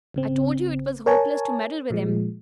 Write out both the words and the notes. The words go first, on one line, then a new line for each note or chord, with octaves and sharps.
'I told you it was hopeless to meddle with him.
G#1 C#3 C4
A#4 C#5 G#5 A5
A#2 F3 G#3